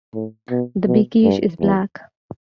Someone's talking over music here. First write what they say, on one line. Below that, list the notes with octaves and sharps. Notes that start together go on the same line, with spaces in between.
The "Bekishe" is black.
A2
B2
B2
G2
E2